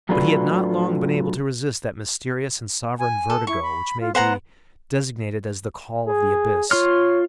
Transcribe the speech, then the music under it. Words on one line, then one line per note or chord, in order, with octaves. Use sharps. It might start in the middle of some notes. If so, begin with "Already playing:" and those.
But he had not long been able to resist that mysterious and sovereign vertigo which may be designated as the call of the abyss.
A2 F#3 A3 D4 F4 B4
G#5
A4
E4 C#6
B5
F4
B3 C5 F#5 A#5
G#4
F4 C#5 C6 F6